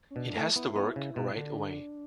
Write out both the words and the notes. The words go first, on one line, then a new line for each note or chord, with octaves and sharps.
It has to work right away.
C#4
B2 D4
D4
A3 E4
B3 E4
B3
C#3
B2
E4
D3 D4